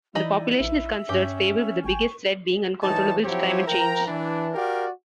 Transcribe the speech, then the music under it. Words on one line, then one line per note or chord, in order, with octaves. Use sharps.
The population is considered stable with the biggest threat being uncontrollable climate change.
E3 D#4 E4 D5 D#5 B5
A#1 E5
G2 C#4 G4
G#1 G5 G#5 C#6
E3 G3 D#4 C#5 A5
F3 F#3 C4 E4 G4 C#5
F3 A#4 G5 A#5
E3 D4
F#4 G4 A#4 D5 F5 G5